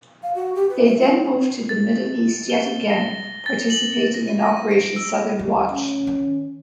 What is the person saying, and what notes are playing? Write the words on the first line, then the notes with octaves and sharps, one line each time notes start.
They then moved to the Middle East yet again participating in Operation Southern Watch.
F5
F#4
G4
B4
E5
F4
A6
G7
A#6
A6
F#7
A#6
D#7
A#6
D#7
D7
D7
E6
D2 G3
C#4
D#3